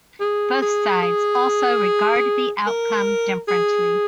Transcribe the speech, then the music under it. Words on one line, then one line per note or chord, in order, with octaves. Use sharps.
Both sides also regard the outcome differently.
G#4
G#4
G#4
A#4
G#4